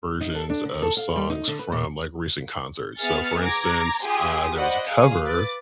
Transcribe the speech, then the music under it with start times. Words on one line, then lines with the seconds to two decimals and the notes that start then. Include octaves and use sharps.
versions of songs from, like, recent concerts so, for instance, uh, there was a cover
0.21 D#4
0.35 A4
0.50 D4
0.65 D3
0.82 A4
0.97 F5
1.16 G3
1.30 D#4
1.48 D3
1.59 B4
1.72 A#2
3.00 B3 G#4 E5 F6 A6 C#7
3.42 A#5 D6 G#6 A#6
4.04 F4 G4 G#4 G#5 C6 D#6
4.56 C5 D5 D#5 F#5 B5
4.89 G#4 F5 D#6
5.24 B4 D6 A6